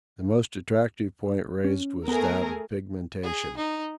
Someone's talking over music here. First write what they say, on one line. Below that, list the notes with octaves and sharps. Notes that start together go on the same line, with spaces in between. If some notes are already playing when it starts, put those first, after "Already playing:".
The most attractive point raised was that of pigmentation.
C#4
A3 B3 G#4 A#4
G#4
D#4